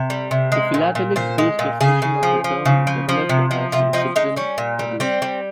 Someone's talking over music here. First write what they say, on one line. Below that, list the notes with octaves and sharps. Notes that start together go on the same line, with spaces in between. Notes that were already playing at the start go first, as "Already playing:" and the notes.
The philatelic-based definition of the term developed as the discipline developed.
Already playing: C3
G3
C3
G#3
A#2
A#2
A#2 C5
G#3
A#2
C#3 G#4
C#3
F3
F3
C#3
F3
F3
C3
F3
C3 F4
F3 D#4
G#3 D#4
G3 C#4
A#2
G3
G3 C4
G3